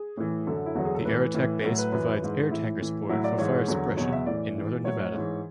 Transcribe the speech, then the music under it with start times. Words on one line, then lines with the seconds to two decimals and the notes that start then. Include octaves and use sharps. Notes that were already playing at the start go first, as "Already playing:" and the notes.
The Air Attack Base provides air tanker support for fire suppression in northern Nevada.
Already playing: G#4
0.17 A2 E3
0.47 F#2 D3 F#3 A4
0.66 E4
0.75 E2 D3 F#3 F#4
0.85 G#4
0.95 A4
1.05 A2 E3 B4
1.34 A2 E3
1.63 A2 F#3
1.78 B4
1.92 F#2 E3 B4
2.22 G#2 E3
2.50 A2 E3 E4
2.80 A2 E3
3.09 A2 F#3 E4
3.24 D5
3.38 G#2 E3 C#5
3.68 E2 D3 F#3
3.97 E2 B2 F#3 C#5
4.12 E5
4.26 A2 E3 D5
4.56 G#2 E3
4.84 A2 F#3 C#5
5.14 G#2 E3